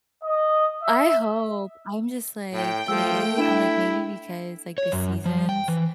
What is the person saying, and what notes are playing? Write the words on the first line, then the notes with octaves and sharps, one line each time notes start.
I hope. I'm just, like, lately, I'm like, maybe because, like, the seasons,
D#5
E5
A2 G5
F3 A3 E6
D4 E4 E5 E7
C#5
F#2
F3
G5
E3